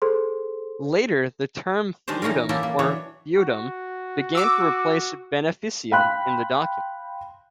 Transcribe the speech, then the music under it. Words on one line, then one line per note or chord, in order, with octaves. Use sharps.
Later, the term "feudum", or "feodum", began to replace "beneficium" in the documents.
G#4 A4 C5 C6
D#3 G#3 D4 G4 C5
E3 F#3 C#4 D#4 A#4
E3 F#3 A#3 E4 G4 A4
A#3
E3 F#3 D4 C#5
F#4
D6 E6
F5 G5 B5 C6 F#6